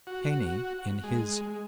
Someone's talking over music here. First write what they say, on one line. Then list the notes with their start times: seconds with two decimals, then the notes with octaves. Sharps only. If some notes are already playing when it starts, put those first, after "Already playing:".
Heine in his.
0.07 F#4
1.04 G#3